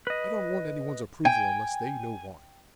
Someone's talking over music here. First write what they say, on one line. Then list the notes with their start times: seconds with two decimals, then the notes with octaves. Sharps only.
I don't want anyone's approval unless they know why.
0.07 B4 D#5
1.25 G5 G#5